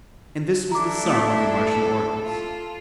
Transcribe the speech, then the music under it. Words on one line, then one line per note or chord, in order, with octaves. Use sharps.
And this was the sum of the Martian organs.
D4 E4 A4 A#5 D6
A3
F4